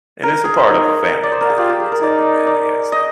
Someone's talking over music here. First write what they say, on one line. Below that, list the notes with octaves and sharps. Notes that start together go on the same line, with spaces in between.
and it's a part of family dynamics, every family has that.
A#4
G#4
D#4
D5
C5
A#4
G#4
F4 G4
G4
G#4
A#4
D#4 D5
D5
D#5